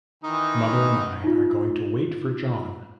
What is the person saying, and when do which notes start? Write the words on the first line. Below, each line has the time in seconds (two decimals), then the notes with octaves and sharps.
Mother and I are going to wait for John.
0.24 D#3 E3 D#4
1.24 D#4 F4